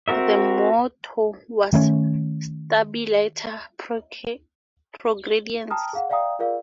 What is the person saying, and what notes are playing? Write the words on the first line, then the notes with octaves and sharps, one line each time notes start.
The motto was "Stabiliter progrediens".
C4 F#4 A#4 E5
D#3 A3 B3 C#4
G5 A5 A#5 D#6 F6
G#4 F5 F#5
D5 E5 F5 G5 A#5 D#6
F4 G#4 A#4 D5 F5